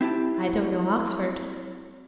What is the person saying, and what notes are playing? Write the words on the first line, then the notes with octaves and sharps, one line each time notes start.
'I don't know Oxford.
C4 E4 G4 A5